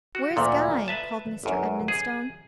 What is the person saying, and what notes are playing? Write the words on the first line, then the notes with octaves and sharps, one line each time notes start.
Where's Guy?' called Mr. Edmonstone.
F#4
D2 A#2 F3
B4 E5 A5
G1 F#2
G#4